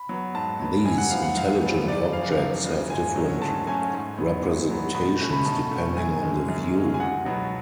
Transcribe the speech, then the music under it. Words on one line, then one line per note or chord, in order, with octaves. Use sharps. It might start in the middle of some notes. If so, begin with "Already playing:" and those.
These intelligent objects have different representations depending on the view.
Already playing: B5
F#3 B3
G#2 A5
F#3 B3
F#2 G#5
F#5
F3 B3 F5
F#5
F#2 F5
F3 B3
F#2 D5
C#3 F3 F5
D5
F5
F#2
C#3 F3
G#2 G#5
F#3 A3 C#4
G#2 A5
F#3 A3 C#4 G#5
G#2
F#3 B3
G#2
F#3 B3
B2 B5
A3 C#4
B5
B2 A5
A3 C#4
F#2 G#5
D3 G#3 C#4
F#2
D3 G#3 C#4
G#5
C#2 F#5
B2 F#3 B3